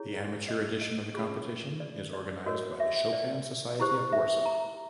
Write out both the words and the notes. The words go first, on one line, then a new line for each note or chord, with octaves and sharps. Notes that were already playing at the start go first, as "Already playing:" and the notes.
The amateur edition of the competition is organized by the Chopin Society of Warsaw.
Already playing: E4 G#4 C#5
D#5
D#5
C#4 F4 G#4
D5
D5
F#4 A#4 C#5 D#5
E5
D5
E4 G4 C5
E5
A#5